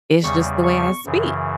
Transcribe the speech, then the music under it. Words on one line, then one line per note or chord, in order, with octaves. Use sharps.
"It's just the way I speak,"
E2 C#3 G3 C#6
C#6
F#2 C#3 E3